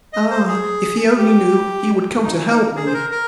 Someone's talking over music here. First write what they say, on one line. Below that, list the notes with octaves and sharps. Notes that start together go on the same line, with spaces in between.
Ah! if he only knew, he would come to help me.'
D#5
C5
G#4
G4
D#4
C#4
D#4
G#4
C5
A#4
A#4